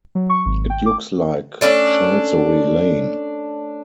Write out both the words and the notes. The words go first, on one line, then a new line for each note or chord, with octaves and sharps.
It looks like Chancery Lane.
F#3
C#6
G#1
G5
D6
A3 C#4 D4 A4